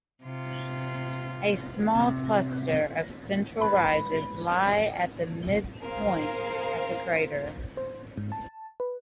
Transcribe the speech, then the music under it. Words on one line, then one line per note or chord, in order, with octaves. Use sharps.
A small cluster of central rises lie at the midpoint of the crater.
C3 F4
C3
G#2 B4 B5
G#4 A#4 C5 F5
C5
G#2
A5
B4